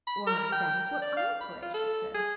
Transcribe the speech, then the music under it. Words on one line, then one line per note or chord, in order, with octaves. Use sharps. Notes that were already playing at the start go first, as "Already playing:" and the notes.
'Why, that is what I play!' she said.
B5
A#4
G5
D5
F5
B5
F4
A4
G#4